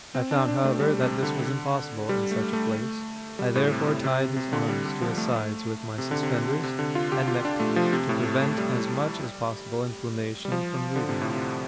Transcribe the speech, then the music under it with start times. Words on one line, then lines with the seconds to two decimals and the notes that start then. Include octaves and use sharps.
I found, however, that this was impossible in such a place. I therefore tied his arms to his sides with my suspenders and necktie, to prevent as much as possible inflammation from movement.
0.15 C4
0.31 D4
0.48 D4
0.64 A3
0.80 G3
1.01 C3
1.22 D3
2.09 G3
2.31 A3
2.53 A3
3.39 G3
3.55 A2
3.71 C3
3.87 A2
4.04 C3
4.36 C3
4.53 D3
4.69 G3
4.85 G3
5.01 F3
5.18 A3
5.98 C3
6.11 D3
6.23 C3
6.64 C3
6.79 D3
6.95 F4
7.12 G4
7.28 F4
7.45 D4
7.60 A3
7.76 F3
7.93 C3
8.09 A2
8.25 A3
8.42 A3
8.58 G3
10.45 G3
10.52 F3
10.96 D3
11.09 C3
11.22 A2
11.35 C3